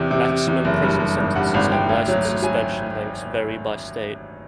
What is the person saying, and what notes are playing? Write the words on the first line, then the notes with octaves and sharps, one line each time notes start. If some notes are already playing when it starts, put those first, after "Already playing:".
Maximum prison sentences and licence suspension lengths vary by state.
Already playing: E2 C3
C3
C3
E2
F#1
G2
G2
G#1
G2 F#5
G#1 F#5
G#1 G5
D2
F#3
D2
F#3 G#5